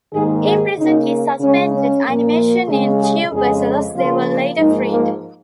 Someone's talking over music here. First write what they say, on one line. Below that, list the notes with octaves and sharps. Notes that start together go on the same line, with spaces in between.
Imprisoned in suspended animation in tube vessels, they were later freed.
G#2 D#3 A#3 G#4
G#4
C#3 A#3 D#4
C#3 G#3 C#4
C#4
A#2 F3 A#3
C#3 G#3 G#4
G#4
F2 C#3 G#3 G#4
C#3 F3 A#3 F4
G#2 F3 A#3 D#4
A#3